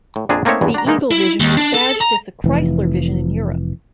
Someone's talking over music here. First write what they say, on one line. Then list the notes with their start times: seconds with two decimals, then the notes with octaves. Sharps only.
The Eagle Vision was badged as the Chrysler Vision in Europe.
0.16 A2
0.29 A#1 F2 D4 F4 G#4 A#5
0.45 A3 A#3 C4 D#4 C#5 E5
0.61 E2 G2 E3 G#3
0.74 D4 F#4 A#5
0.86 E3 G#3 A#3 D#4 A#4
1.11 E4
1.40 D#2
1.57 D4
1.74 A4
2.01 A#5
2.44 F1 E3